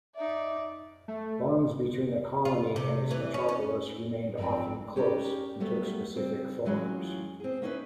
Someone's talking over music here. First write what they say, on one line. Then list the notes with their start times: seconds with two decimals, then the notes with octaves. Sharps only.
Bonds between a colony and its metropolis remained often close, and took specific forms.
0.16 D#4 D5 E5
1.08 A3
2.45 F4
2.76 C3
3.11 E3
3.34 C#4
3.49 C#4
4.38 G#1 C#2 F3 C4
4.96 C#4 G4 G#4 A#4 D5
5.60 F#3 G3 A3 B3
6.16 C#3 G3 C4
6.65 A2 E3 F#3 G#3 C#4 F4
7.40 C4 G#4
7.62 A#3 B3 C#4 D#4 E4 B4